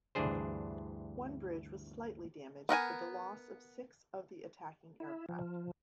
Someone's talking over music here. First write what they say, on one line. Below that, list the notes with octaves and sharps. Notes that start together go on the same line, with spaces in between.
One bridge was slightly damaged for the loss of six of the attacking aircraft.
D2 G2 E3 D4 G#4 C5
B3 A#4 F#5 G#5
E4
F3